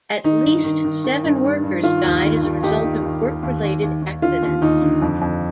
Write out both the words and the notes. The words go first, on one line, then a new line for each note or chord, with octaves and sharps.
At least seven workers died as a result of work-related accidents.
D#3 D#4
G2
D#3
D#3
D#3
G2
G2
G2
D#3 F4
D#2
D#3
D#3
D#2 D#4 G4
D#3
D#2
D#2
D#2
D#2
D#2
D#2
D3 F4
D#2
D#2 D#4
D3
F2
F2